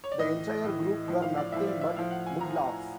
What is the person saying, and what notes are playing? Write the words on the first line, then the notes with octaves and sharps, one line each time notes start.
The entire group were nothing but mudlarks!
C#5
D5
A2 E3 D#5
A2 E3
A2 F3
F5
D5
A2 F3 E5
D5
E5
A2 F3 F5
F#5
G#5
A2 F3 A#5